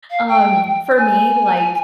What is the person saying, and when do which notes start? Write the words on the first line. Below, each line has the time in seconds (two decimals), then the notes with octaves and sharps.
Um, for me, like,
0.10 F5
0.28 G5
0.97 G#5